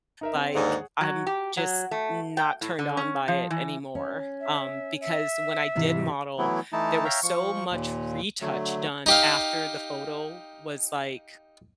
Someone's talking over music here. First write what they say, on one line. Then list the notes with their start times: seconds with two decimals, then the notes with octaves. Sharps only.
like, I'm just not turned on by it anymore, um, because when I did model, there was so much retouch done after the photo was, like,
0.21 D#4 A#4 E5
0.34 C4
0.55 D#2 G#2 D3 G#4 C#5 F#5
1.01 F#3
1.27 G4
1.57 F#3
1.91 A3
2.37 G5
2.61 A2
2.79 D3
2.97 C#4
3.28 F3
3.50 E3
3.95 C#4
4.40 E5
5.01 E5
5.76 G#2 C3 E3
6.38 E3 F#3 A3 B3 E4
6.73 E3 A3 D#4 E4 A5
7.04 C#5 E5 F5 G5 A#5
7.23 F3 C#6
7.71 D#2 A#2
8.41 D3 F#3 A3
9.06 D#4 G4 F5